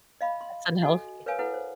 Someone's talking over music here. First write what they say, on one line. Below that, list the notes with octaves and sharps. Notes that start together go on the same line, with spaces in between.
That's unhealthy.
D#5 F5 B5
C6
F#4 A4 D#5 G#5
A#4 B4 C#5 F5 G#5 D#6
E4 A4 B4 F#5
C5